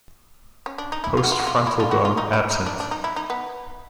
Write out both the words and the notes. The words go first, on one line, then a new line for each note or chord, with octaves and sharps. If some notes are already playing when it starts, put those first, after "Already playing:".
Postfrontal bone absent.
C#4
D4
D#4
E4
F4
F#4
F4
F#4
F4
E4
F4
F#4
F4
D#4
E4
D#4
D4
D4
D#4
E4
D#4
B3